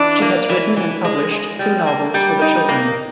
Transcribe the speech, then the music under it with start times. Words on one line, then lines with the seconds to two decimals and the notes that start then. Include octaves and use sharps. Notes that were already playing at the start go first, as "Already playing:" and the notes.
She has written and published two novels for the children.
Already playing: E3 D4
0.22 A#3
0.49 E3
0.76 E3
1.04 G#3
1.31 G#3
1.59 G3
1.86 A#3
2.14 G3
2.42 D#4
2.69 A#3